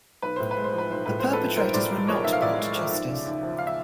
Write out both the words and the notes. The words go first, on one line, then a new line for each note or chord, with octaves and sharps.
The perpetrators were not brought to justice.
B1 B4
A2 C5
B4
G#3
C5
F3
B4
B1 C5
A2 B4
G#3 C5
A4 B4
F3
B1 A#4 C5
A2 C5 D5
G#3
F3 C#5 D#5
B1 E5
F5
A2 D5 E5
G#3
F3
D#2
C#3
D#2
F3
F5
E5